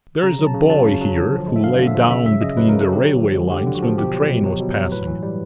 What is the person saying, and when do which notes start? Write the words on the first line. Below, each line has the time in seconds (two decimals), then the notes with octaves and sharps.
There's a boy here, who lay down between the railway lines when the train was passing.
0.23 C#3 A#5
0.39 F#3
0.47 A5
0.54 C#3
0.69 F#3 A5
0.85 C#3
1.01 F#3
1.17 D3
1.32 F3
1.48 G#3
1.56 E5
1.64 D3 F5
1.79 D3
1.87 E5
1.95 F3
2.10 C#3 E5
2.26 F#3 E5
2.41 C#3 D#5
2.57 F#3 B4
2.69 C#3 A#4
2.81 A4
2.89 F#3 G4
3.05 D3
3.20 F3
3.35 G#3
3.51 D3 G4
3.67 D3
3.75 F#4
3.83 F3
3.98 B2 G4
4.14 F#3
4.29 B2
4.45 F#3
4.60 B2
4.76 F#3
4.92 A2 B4
5.07 E3
5.23 G3